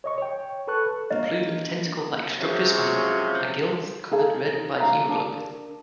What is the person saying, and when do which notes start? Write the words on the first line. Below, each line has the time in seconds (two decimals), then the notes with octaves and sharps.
The plume of tentacle-like structures on it are gills, coloured red by haemoglobin.
0.04 C#5 D#5 C#6
0.18 C#5 G5
0.67 A4 B4 A5 C#6 F#6
1.11 A#3 D4 D#5
2.39 C3 F3 F#3 G#3 C#4
4.12 D#4 G#4 A4 F5
4.80 D4 F5 A#5
5.09 D4 A#4 A5